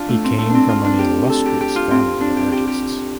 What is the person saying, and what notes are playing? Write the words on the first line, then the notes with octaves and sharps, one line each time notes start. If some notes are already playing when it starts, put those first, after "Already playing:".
He came from an illustrious family of artists.
Already playing: D4 F4
A3
C4
A3
C4 D4
F4
D4
G4
A4
G4
G4
F4
C4
D4
G4
G4
G4